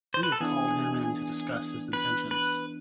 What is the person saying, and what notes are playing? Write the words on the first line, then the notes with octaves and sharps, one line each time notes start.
We have called him in to discuss his intentions.
C5
B4
A4
E3 B3 D4 G#4
B4
B4